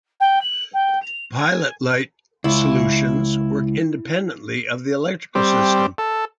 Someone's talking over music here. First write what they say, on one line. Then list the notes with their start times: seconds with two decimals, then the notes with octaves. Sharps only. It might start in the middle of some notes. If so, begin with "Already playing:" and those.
Pilot light solutions work independently of the electrical system.
0.20 G5
0.41 F#7
0.73 G5
1.02 F7
1.34 G#5
2.44 C#2 E4
5.35 G3 C4
5.98 A4